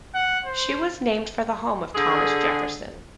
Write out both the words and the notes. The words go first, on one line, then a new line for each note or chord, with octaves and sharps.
She was named for the home of Thomas Jefferson.
F#5
C5
D3 G#4